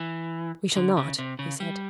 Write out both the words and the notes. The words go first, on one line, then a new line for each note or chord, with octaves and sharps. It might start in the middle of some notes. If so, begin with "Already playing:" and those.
"We shall not," he said.
Already playing: E3
D3
C#3
C3
C#3
G3